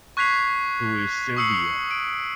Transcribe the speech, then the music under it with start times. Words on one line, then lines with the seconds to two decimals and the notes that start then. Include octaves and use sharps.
Who Is Sylvia?
0.17 C#6 F#6 G#6 B6 C7 F7
1.36 C#6 D#6 E6 C7 C#7 F#7
1.91 D7